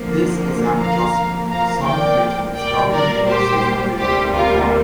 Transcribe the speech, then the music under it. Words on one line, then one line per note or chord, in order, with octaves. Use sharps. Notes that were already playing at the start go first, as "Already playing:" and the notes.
This is an adjustment for some commitments government agencies have made on your behalf.
Already playing: F2 D3 F3 A#3
F5 A#5
F2 F3 A#3
F5 A#5
D5 G5
A#2 G3 A#3 D5 G5
A#4 D5
G4 C5
D2 C3 G3 A#3 G4 C5
F4 A#4